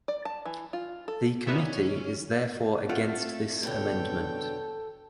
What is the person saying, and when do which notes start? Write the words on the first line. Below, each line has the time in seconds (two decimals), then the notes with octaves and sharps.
The committee is therefore against this amendment.
0.08 D5
0.25 A5
0.46 E3
0.73 F4
1.08 A4
1.47 A#2 B3 C#4 D#4 E5
2.89 A3 C4 F4 A4 F#5
3.63 B2 D3 A4 C#5 G5